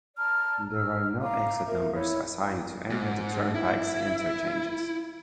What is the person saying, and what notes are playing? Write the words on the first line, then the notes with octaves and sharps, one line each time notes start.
There are no exit numbers assigned to any of the turnpike's interchanges.
D5 A5 A#5 F6
E6 F6
F5 A#5 D6
A#4 E5
E4 C#5
G#2
E4